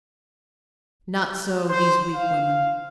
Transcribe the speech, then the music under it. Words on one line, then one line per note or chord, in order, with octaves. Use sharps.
Not so these weak women.
C5
F5